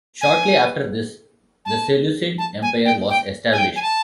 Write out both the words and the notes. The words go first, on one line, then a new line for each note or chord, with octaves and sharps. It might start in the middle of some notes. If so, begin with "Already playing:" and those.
Shortly after this the Seleucid Empire was established.
G#5
A5
A5
G#5
G5
G5
G#5
G5
G#5
A5